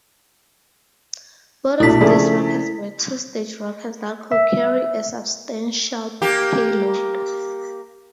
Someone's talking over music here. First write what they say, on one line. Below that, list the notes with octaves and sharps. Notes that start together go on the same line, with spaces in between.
Both of these rockets were two-stage rockets that could carry a substantial payload.
A#1 B2 A3 D4 E4 B6
C#3 F3 A3 G#4 D5
E5
A#3 G4